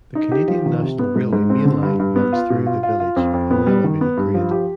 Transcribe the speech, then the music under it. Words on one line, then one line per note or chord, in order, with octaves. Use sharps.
The Canadian National Railway main line runs through the village, on an elevated grade.
D#4
G4
F3
D#3
C3
B3
G#2
G#2
C4
D3
G2
G2
B3
F4
B2
F4
F4
F4
F2
F2
B3
G3
D#3
B3
G2
F3
G4